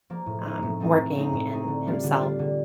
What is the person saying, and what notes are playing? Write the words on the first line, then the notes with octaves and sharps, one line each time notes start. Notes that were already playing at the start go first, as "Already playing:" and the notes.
um, working and himself.
F3 A#3
A2
A3 C4 D#4
A2
A3 C4 D#4
A2
A3 C4 D#4
A2
A3 C4 D#4
D3
G3 D4 F4
D3
G3 D4 F4
D3